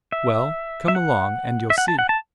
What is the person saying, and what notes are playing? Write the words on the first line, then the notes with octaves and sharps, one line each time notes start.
"Well, come along and you'll see!"
E5
E5
F#5
E5
F#5
A5
F#5
A5